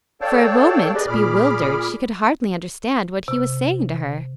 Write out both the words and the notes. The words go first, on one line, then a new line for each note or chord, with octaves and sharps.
For a moment, bewildered, she could hardly understand what he was saying to her.
A4 C#5 D5 F5 G5 A5
G4 G#4 B4 D5 D#5
A#2 G#4 B5 D6 F6
C3